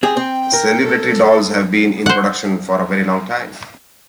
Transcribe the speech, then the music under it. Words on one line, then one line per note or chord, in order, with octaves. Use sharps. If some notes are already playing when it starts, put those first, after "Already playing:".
Celebrity dolls have been in production for a very long time.
C4 G4 G#4
C4 G5
A#4
A4
C5 F#5